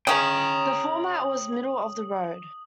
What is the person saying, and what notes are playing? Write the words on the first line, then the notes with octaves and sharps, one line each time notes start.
The format was middle-of-the-road.
C#3 C#4 G5 A#5 D#6 F#7